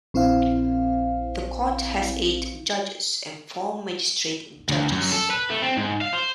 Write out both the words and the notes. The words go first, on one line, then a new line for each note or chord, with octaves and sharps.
The court has eight judges and four magistrate judges.
A#1 C4 E4 C5 F5
D2
F#2
A4
B4
A3
C4
G#2
F5
C5